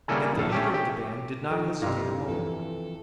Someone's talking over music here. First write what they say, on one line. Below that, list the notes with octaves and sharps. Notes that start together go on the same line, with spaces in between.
Yet the leader of the band did not hesitate a moment.
C#3 G3 A#3 E4 A4 G#5
A#1 A4 F5
A3 C#4 G4
G4
F3 D#4 A4
G2 C3 G3 E4 F5
F2 E3 A4 A5